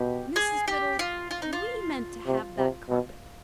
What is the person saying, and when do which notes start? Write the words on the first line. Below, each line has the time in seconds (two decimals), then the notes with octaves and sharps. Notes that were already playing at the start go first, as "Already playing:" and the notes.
'Mrs Biddle, WE meant to have that carpet.
Already playing: B2 G4
0.36 G#4
0.68 G4
0.99 F4
1.31 F4
1.42 D#4
1.53 F4
2.26 C3
2.58 C3
2.89 B2